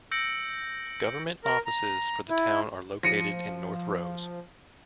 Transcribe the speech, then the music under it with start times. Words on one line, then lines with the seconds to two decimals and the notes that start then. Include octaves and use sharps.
Government offices for the town are located in North Rose.
0.11 E6 G6 A#6 C#7 D7 F#7
1.44 A#4
1.66 A#5
2.30 E4
3.03 F3 A#6 C#7 D#7